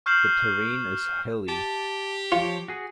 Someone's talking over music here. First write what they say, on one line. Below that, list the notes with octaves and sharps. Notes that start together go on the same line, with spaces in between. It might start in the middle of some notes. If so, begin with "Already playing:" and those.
The terrain is hilly.
C#6 F6 G6 C7 E7 F#7
G4 A5
F3 F4 C#5
F#4 G#4